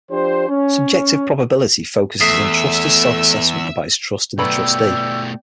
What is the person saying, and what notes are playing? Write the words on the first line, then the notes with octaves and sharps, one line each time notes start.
Subjective probability focuses on trustor's self-assessment about his trust in the trustee.
F3 D4 G4 C5
C#4
E2 A3 E5 D#6 E6 B6 C7
B2 F#3 A3 B3 D5 G5 B5 E6